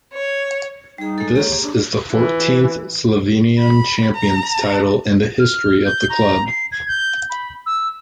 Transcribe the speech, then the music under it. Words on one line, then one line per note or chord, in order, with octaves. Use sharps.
This is the fourteenth Slovenian champions title in the history of the club.
C#5
G3 D#4 G#4
G#3 A4
A#3 G4 G#4 C#5
D4
E3
B5
A#5
F6
G6
A#5
C7
G#6
G6
B5
E6